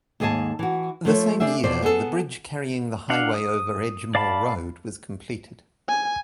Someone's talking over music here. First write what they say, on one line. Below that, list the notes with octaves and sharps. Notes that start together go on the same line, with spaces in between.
The same year, the bridge carrying the highway over Edgemoor Road was completed.
D#2 G#2 G#4 D#5 G#5 A5
E3 F#4
F3 A3 C#5
D4 G4 G#4 E5
E2 B2 F3 C5 D5
B3 G#4 A4
D4 F5 F#5
D#6
D5 F5 A5 B5
G#5